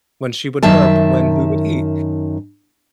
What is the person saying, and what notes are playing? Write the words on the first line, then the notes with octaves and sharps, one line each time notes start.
when she would burp, when we would eat,
F#2 D#3 E5 A5